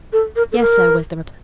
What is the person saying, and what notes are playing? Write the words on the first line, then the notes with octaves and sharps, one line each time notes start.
"Yes, sir," was the reply.
A4
A#4
A4
A#4